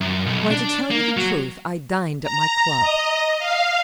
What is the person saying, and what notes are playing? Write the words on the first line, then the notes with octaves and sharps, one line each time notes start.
'Why, to tell you the truth, I dined at my club.
F#2
B1
D4
A#3
F#3
A#5
D#5
F5